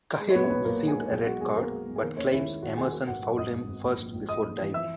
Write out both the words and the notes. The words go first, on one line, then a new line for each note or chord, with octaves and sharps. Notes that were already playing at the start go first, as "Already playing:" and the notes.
Cahill received a red card, but claims Emerson fouled him first before diving.
G#3
C#5
A#2 B3 B4
C#5
B1 B3 B4
A#2 A#3 A#4
G#3
G#4
G#3
B1 G#4
G#3 F#4
B1 G#4
B1 A#3 A#4
G#3
B2
G#4
D#3 A#3 A#4
D#2 C#4 C#5
D#3 E4 E5
G#3
D#3 F#4 F#5
D#2 G#4 G#5
A#3 F#4 F#5
G#1 F#4 F#5
F#3 F#4 F#5
G#1 D#5 D#6
G#1
G#1
A#1
A#1
A#1
G#2 D#5 D#6
A#1
E3
E3 E5 E6